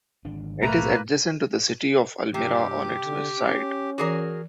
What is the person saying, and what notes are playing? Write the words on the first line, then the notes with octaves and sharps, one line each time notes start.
It is adjacent to the city of Elmira on its west side.
G#1 D3 D4
B1 A2 A3 A#3 B4 A#5
G2 C3 G4
D3
C#4
E3 F#4 G#4 A#4 D6